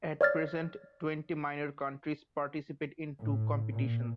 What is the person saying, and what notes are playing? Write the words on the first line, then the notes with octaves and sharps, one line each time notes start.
At present twenty Minor Counties participate in two competitions.
C#5 D5 F6 A6
A2
A#2